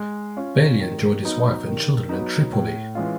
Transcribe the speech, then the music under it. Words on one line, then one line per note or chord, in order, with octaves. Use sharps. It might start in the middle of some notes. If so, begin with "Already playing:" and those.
Balian joined his wife and children in Tripoli.
Already playing: G#3
C#4 F4
D#3
F#3 B3 D#4
D#3
F#3 B3 D#4
A2
E3 G#3 C#4 F4